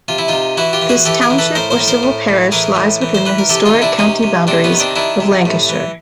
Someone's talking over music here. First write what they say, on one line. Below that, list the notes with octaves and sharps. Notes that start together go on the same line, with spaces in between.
This township or civil parish lies within the historic county boundaries of Lancashire.
C3 F4
E4
C3 D#4 F4
E3 E4 F#4
F4 G4
E3
F#4 G#4
E3 G4 A4
G#4 A#4
E3
A4 B4
A2 A#4 C5
A#4 C5
A2
A#4 C5
A2
A2
E3 G#4 A#4
A2
E3
C5
E3 B4
A#4
C3 G4 A4
D#4 F4
C3
D4 E4
C3 C#4 D#4
C3
C3 C4 D4
B3 C#4
D#3
C4 D4
D#3 D4 E4
C3
A2
E3